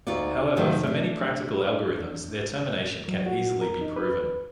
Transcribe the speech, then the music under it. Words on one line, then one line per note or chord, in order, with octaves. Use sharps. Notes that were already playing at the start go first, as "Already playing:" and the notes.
However, for many practical algorithms, their termination can easily be proven.
D2 D#4 F4 F#4 D5
C3 D#3 F3 F#3 A3 D#4
A3 D4
F#3
F#4
A#4
D#4
B4